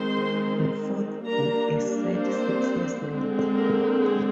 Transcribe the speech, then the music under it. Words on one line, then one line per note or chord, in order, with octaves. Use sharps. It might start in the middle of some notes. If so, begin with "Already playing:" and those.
The fourth book is set six years later.
Already playing: D#3 G#3 C4 C5 C6
G3 A#3 D4 A#4 A#5
C4 C5
D3 G#3 C4
A#3 A#4
G#3 G#4